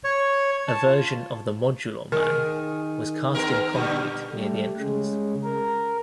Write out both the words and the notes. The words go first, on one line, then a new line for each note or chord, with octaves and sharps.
A version of the Modulor Man was cast in concrete near the entrance.
C#5
A5
F4
D#3 G#4
G#3 B3 A#4
A#2 D3 G3
G3 A3
C#3 G#3
A#4